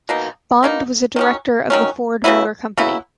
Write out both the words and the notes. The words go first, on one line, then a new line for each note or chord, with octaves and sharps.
Bond was a director of the Ford Motor Company.
B2 A#3 D#4
B2 A#3 D#4
D#3 F#3 C#4
D#3 F#3 C#4
C#3 F#3 B3 E4
C#3 F#3 B3 E4